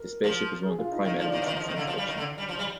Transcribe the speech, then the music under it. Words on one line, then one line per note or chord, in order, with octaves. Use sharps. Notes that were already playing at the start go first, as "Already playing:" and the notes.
The spaceship is one of the prime elements in science fiction.
Already playing: A#4
F3
G#4
F4
D#4
D#3 D#4
F4
F3
D5
D#3
D#5
F3
D#3
F3 D#5
D#3 D#5
D3 F5
F3
G3
D#3
D3
G3
F3
G3